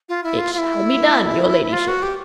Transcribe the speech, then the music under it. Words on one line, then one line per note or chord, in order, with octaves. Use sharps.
"It shall be done, your ladyship."
F4
E4
F4
F4
E4
F4
F#4
G4